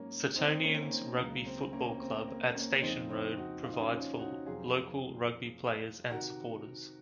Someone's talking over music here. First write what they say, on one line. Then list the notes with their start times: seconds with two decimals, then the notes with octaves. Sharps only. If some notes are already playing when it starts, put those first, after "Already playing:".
Suttonians Rugby Football Club, at Station Road, provides for local rugby players and supporters.
Already playing: G#2 F#3 A#3 C#4
0.36 C4 D#4
0.63 A#3 C#4
0.82 A#3
0.90 C4
1.18 C#2 C#3 F#3 A#3
1.46 C4
1.73 A#3 C#4
2.01 C4
2.28 A#3
2.55 A#3 C#4
2.82 F2 C#3 F3 C4 D#4
3.09 C4 D#4
3.37 D#4 F#4
3.64 F4
3.73 D#4
3.81 C#4 F4
3.91 C#4 F4
4.19 D#4 F#4
4.46 F2 C3 F#3 F4 G#4
6.10 C3 D#3 F#4 A#4